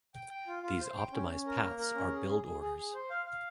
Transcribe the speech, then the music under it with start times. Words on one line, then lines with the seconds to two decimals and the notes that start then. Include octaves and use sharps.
These optimized paths are build orders.
0.14 G5
0.30 G5
0.47 F4
0.63 F4
0.80 C5
0.96 G5
1.12 C#4
1.29 C#4
1.46 A#4
1.62 A#3
1.79 A#4
1.95 C#4
2.11 G#4
2.28 G#4
2.44 G#4
2.61 G#4
2.78 G#4
2.94 C5
3.10 F5
3.26 F5